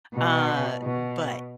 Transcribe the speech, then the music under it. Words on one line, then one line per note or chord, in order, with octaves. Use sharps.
uh, but,
B2
B2